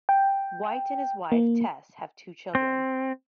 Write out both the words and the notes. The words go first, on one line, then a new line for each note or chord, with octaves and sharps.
White and his wife, Tess, have two children.
G5
A#3
C4